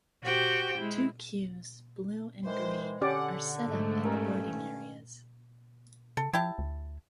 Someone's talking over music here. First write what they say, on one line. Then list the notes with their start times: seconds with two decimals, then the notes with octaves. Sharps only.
Two queues, blue and green, are set up at the boarding areas.
0.24 F#4 G4 C5 G5
0.78 G#3 E4
2.45 D#3 E3 G#3 C5
3.01 D3 C#4 G4 D5 F#5
3.67 G#2 A3
4.05 G2 C#4 A#4
6.17 C#3 A4
6.33 F3 E4 G4 A5
6.58 D2